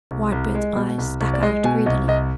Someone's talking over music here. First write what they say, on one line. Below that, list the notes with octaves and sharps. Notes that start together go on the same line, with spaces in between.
Whitebird's eyes stuck out greedily.
C2
C2
G#3
B2
C2
C2
D5
G#3 D#5
B2 G#5
C2 D#5
C2 D#5